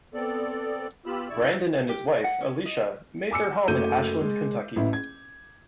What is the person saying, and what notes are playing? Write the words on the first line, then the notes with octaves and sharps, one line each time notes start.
Brandon and his wife, Alicia, make their home in Ashland, Kentucky.
B3 C4 A4 D5
B3 F4 G4 B5 E6
G2 C#3 E4 D5 C#6 E6
G4
G#4
F#5
C#4
D#5
G#5 D6 E6 C#7
F#1 A3 F#4 G6 D#7
G#3
A1 E4
G#6